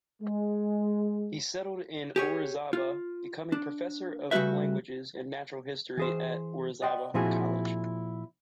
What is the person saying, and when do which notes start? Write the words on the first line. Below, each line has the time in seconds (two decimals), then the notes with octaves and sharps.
He settled in Orizaba, becoming professor of languages and natural history at Orizaba College.
0.22 G#3
2.16 G4 G#4 C#5
2.73 F4
3.52 D4
4.31 C#3 G3 A3 F#4 B4 E5
5.97 E3 G#4 C5
6.82 D5 D#5 F#5 G5 C6
7.14 A#2 F3 C4 E4 F#4 G#4